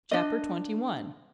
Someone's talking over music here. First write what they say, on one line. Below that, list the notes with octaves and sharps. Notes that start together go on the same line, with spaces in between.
Chap. XXI.
D4 D#5